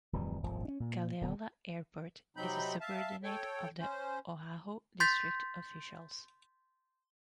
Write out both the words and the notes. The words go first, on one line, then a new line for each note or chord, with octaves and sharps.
Kalaeloa Airport is a subordinate of the Oahu District officials.
D1 F2 E3 G3
D#1 G#1 A#2 F3
C#4 D4
A#2
D#1 D3 B3
C3 F#3 C4 D#4 B5 G6
E5 F5 A5
A4 C#5 G5
C#4 C5
C6 G6 A6 B6